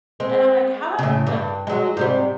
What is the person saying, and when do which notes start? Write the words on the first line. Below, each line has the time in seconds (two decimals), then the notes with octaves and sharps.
and I'm like, "How about, like, noon?"
0.20 G#3 C4
0.99 A2 C#3
1.27 G2
1.67 F#3 G#3
1.97 G#2 C3 G3